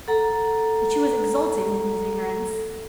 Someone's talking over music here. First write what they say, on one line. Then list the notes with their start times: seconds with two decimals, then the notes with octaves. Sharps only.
But she was exulting in his ignorance.
0.08 A4 F#5 A#5